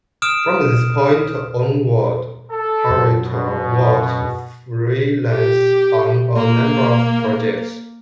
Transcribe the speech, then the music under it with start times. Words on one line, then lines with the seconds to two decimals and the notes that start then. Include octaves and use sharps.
From this point onwards, Harriott worked freelance on a number of projects.
0.22 D#6 F6 D7 E7
2.51 A4
2.90 F#2
3.25 B2
5.31 G4
6.37 A#3